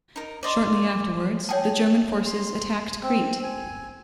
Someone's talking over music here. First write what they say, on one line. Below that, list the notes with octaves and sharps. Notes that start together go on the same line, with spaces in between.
Shortly afterwards, the German forces attacked Crete.
D#4 A#4
D5 D#5 C6
G#4 C#5 D#5 G5 A5
C6
C4
G#5